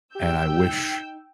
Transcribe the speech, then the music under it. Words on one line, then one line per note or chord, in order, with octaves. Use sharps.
and I wish
G4 G5 E6 G6
D#4